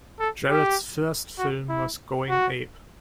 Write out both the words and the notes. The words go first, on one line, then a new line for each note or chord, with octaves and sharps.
Jarret's first film was Going Ape!
A4
G4
F#4
E4
F#4